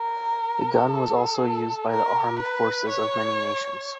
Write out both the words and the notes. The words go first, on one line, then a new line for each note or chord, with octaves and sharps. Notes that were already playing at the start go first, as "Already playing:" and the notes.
The gun was also used by the armed forces of many nations.
Already playing: A#4
A4
A#4
B4
C#5